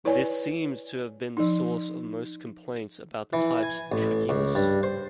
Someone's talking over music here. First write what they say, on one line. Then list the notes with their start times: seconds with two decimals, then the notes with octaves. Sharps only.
This seems to have been the source of most complaints about the type's "trickiness".
0.05 E4 B4 C#5 D5 G#5
1.37 F3 D#4
3.33 E3
3.63 G#5
3.92 A1
4.29 C#2
4.55 G2
4.83 C5